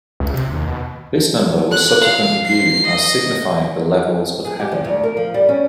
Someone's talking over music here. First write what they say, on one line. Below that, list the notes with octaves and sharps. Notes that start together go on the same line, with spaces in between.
This number was subsequently viewed as signifying the levels of heaven.
C#2
C3
D#2
B2
F#6
F5
C7
D#5
G#4
G4
E2
D2
A#4
F3
G3
C#4